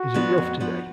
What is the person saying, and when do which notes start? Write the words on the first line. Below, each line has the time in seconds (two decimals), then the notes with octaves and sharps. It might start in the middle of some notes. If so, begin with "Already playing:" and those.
Is it rough today?
Already playing: F#4
0.14 F3 B3 D4
0.38 F2
0.60 F3 B3 D4